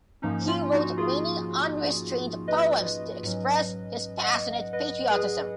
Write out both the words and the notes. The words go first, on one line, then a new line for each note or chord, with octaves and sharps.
He wrote many unrestrained poems to express his passionate patriotism.
G#2 F3 A#3 C#4 D#4
C#4 F4
D#4 F#4
F4 G#4
B4 D#5
G#2 F#3 C#4
D#5 F#5
B4 D#5
G#4 B4